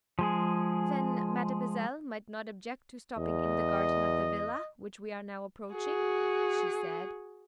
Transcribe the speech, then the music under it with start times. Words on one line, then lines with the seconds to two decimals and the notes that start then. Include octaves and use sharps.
"Then mademoiselle might not object to stopping in the garden of the villa which we are now approaching," she said.
0.19 F3 G#3 G#4
3.17 E2 D#5
5.74 F#4 G#4